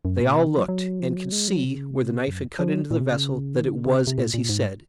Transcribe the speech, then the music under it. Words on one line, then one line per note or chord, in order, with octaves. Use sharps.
They all looked, and could see, where the knife had cut into the vessel, that it was as he said.
F#2
A#2
C3
D#3
F#3
F#3
F3
F#3
G#3
F#3
C3
C#3
C3
F#2
F3
F#3
A#2
C3
C#3
D#3
C#3
C#3
C3
C3
A#2
A#2
G#2